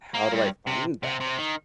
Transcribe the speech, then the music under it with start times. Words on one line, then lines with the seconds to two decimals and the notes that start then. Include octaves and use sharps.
"How do I find that?"
0.15 A#3
0.32 G2
0.67 C3
1.03 C3
1.20 C3
1.38 D#3